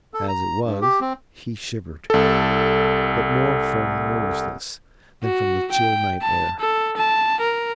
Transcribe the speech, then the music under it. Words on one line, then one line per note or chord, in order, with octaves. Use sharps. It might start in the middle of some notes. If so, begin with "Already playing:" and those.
As it was, he shivered, but more from nervousness than from the chill night air.
A4
A#5
G2
G4
C4
C2 A4
F#4
G5
A5
A4
A5
A#4